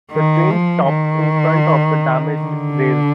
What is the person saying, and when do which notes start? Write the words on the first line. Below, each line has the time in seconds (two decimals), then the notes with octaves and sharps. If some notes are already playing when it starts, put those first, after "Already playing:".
The train stopped in front of the damaged rails.
0.11 D#3
0.50 F3
0.89 D#3
2.42 D3